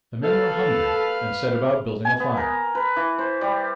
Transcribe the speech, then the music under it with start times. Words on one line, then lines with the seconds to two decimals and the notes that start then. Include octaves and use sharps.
The men were hungry and set about building a fire.
0.23 A4 B4 F5
2.05 G#5
2.20 B3
2.37 A#4
2.75 B4
2.96 E3
3.19 C5
3.41 G3